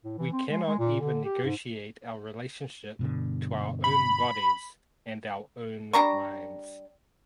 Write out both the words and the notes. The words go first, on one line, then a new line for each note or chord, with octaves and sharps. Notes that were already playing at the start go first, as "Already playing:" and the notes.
We cannot even negotiate our relationship to our own bodies and our own minds.
A2
E3
C4
G#3
G#3
A#2
D3
G4
G#2
G2 B2 D3
B5
G3 D4 A#5 C#6